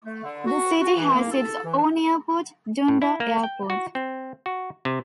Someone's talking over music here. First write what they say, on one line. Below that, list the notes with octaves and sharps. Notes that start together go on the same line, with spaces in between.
The city has its own airport, Dundo Airport.
A3
D3
F#4
F#4
E3
A#3
A4
E3
A2
E4
A#3
G5
F#4
C4
F#4
C3